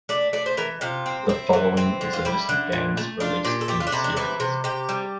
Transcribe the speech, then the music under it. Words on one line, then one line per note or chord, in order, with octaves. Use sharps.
The following is a list of games released in the series.
A3 D5
A3 D5
C5
E3 A#4
C3 F4
C4
C4 E4
E3
C4
D3
F4
G3 E4
D3
A#2
A3
D4 F4
A#2 G4
A4
A3 G4
F4
D4
C3 E4
D4
E3 E4
C3
C3 G4
G3